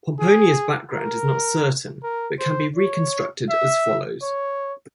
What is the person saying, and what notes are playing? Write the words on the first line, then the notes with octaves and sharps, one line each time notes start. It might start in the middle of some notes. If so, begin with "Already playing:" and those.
Pomponia's background is not certain, but can be reconstructed as follows.
G#4
A#4
A#4
C5
C#5
E5
C#5